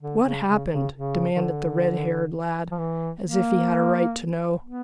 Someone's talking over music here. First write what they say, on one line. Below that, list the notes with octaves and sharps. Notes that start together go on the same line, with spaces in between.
"What happened?" demanded the red-haired lad, as if he had a right to know.
D3
C#3
C#3
C#3
C#3
D#3
D3
F3
E3
A#3
B3